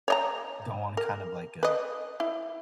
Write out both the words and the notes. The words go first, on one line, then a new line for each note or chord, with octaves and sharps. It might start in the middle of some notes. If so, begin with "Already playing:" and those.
go on kind of like a
C#5 D#5 A#5
A#4
B4 D#5
E4